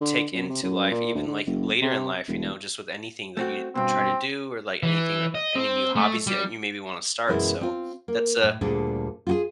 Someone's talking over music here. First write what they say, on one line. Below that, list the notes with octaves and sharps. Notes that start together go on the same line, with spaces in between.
take into life even, like, later in life, you know, just with anything that you try to do or, like, anything that any new hobbies that you maybe wanna start, so, that's a,
D3
F#2
C3
F#2
A#2
D2
D3
F#1
C3
E1
A3 C4 F#4
G2 B2 C4
E3
D#5
C4
A3
G3
F#2 B2 E3 G#3 E4
C4 F4
A#3
A2
D2 A#2 G3 D4 G#4 A4
F4 F#4 G#4